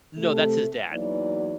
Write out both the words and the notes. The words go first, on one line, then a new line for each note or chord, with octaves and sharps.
No, that's his dad.
C3 A3
E2 E3 F#3 A#3 D#4 D5